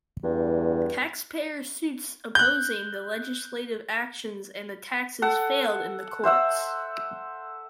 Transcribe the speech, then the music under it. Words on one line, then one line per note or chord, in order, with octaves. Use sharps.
Taxpayer suits opposing the legislative actions and the taxes failed in the courts.
E2 G2
F#6 G6
A4 F#5 A5
C5 E5 F#5 E6